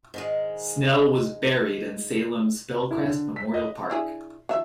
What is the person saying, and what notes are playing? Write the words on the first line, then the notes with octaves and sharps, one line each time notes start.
Snell was buried in Salem's Belcrest Memorial Park.
G#2 D#3 G#3
E4
D3
B6
D#5
D4 E4 G#4
D#3 F3 E5